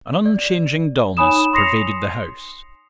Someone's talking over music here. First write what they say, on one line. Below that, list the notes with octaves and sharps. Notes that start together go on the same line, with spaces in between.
An unchanging dullness pervaded the house.
D5
D#4 C#5 G#5 B5 D#6 E7
C6 D#6 A#6 C7 C#7 F7